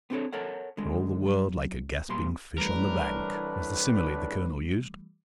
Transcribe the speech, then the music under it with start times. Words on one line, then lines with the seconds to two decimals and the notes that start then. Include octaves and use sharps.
"For all the world like a gasping fish on the bank," was the simile the colonel used.
0.10 B3 C4 D4 F4 A4 C#5
0.33 A4 A#4 C#5 F#5
0.77 D3 D#3 G#3
1.26 F#3
2.09 B1 A#2 G3 C6
2.58 C2 A2 E3 G3 A3 D4 A#4 B4